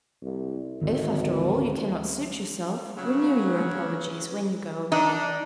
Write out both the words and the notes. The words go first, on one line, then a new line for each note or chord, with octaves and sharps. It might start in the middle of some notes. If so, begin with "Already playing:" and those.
If, after all you cannot suit yourself, renew your apologies, when you go away.
C2
G#1 D2 D3 D#3
C#3 F#3
D4 D#4